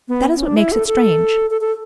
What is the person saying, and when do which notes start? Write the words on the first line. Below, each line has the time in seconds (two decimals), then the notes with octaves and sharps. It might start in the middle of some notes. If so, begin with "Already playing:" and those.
That is what makes it strange.
0.09 B3
0.35 C#4
0.45 D4
0.56 E4
0.72 A4
0.87 A4
1.50 A4
1.61 A4